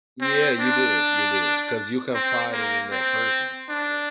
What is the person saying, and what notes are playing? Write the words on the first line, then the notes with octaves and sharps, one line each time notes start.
Yeah, you did, you did, 'cause you confided in that person, yeah.
C4
D4
C4
A#3
C4
D4